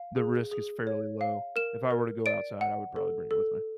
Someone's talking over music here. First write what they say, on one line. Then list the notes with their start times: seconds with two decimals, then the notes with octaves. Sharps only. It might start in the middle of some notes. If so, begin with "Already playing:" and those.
the risk is fairly low. If I were to go outside I would probably bring it with me.
Already playing: F5
0.16 G#4
0.51 G#4
0.87 C#5
1.21 F5
1.56 A#4 E7
1.91 A#4
2.26 D5 D7
2.61 F#5
2.96 A4
3.31 A4